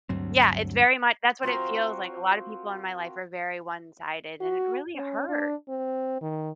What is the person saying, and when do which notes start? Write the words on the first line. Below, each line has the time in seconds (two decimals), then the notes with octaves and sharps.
Yeah, it's very much that's what it feels like, a lotta people in my life are very one-sided, and it really hurt.
0.09 D2 G2 F#3 C4
1.43 C4 F4 F#4 A#4
4.41 F#4
4.95 C#4
5.29 D4
5.68 C4
6.22 D#3